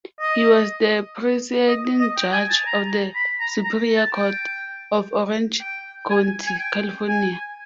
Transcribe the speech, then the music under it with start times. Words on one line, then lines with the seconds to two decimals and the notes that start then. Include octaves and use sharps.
He was the presiding judge of the Superior Court of Orange County, California.
0.20 D#5
1.68 D#5
2.00 D#5
2.17 G5
2.33 G#5
2.49 A5
2.66 A#5
3.15 B5
3.40 A#5
3.64 A#5
3.97 A5
4.14 G5
5.61 G5
6.10 G#5
6.47 G#5
6.59 G5
7.08 G#5